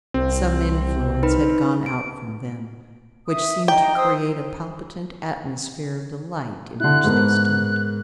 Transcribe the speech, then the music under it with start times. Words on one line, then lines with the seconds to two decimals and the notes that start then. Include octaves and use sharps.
Some influence had gone out from them which seemed to create a palpitant atmosphere of delight in which they stood.
0.14 C2 C4
1.23 D#4 B4 B5
1.86 D7
3.26 E5 D#6
3.68 D#4 D#5 G5 A#5
3.96 C5 D#6 E6
6.80 D3 E4 F#6
7.04 G#2 B3 A#4